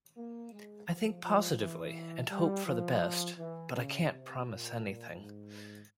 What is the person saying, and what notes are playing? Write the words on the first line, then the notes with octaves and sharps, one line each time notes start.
I think positively and hope for the best, but I can't promise anything.
A#3
G#3
F3
F3
E3
G3
F3
E3
C#3
C3
A#2
G#2